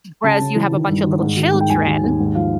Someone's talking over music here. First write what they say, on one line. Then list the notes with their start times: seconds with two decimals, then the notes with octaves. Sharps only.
whereas you have a bunch of little children
0.24 C#3 A5
0.40 C#3
0.55 E3
0.72 D#3
0.88 G2
1.05 D#3
1.22 G#2
1.37 D#3
1.54 G#2
1.60 G5
1.70 D#2 G#5
1.86 D#3
2.03 D#2
2.20 G#2
2.35 F3 F5